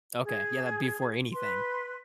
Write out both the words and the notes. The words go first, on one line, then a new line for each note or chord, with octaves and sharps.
Okay. Yeah, that'd be for anything.
G#4
B4 C6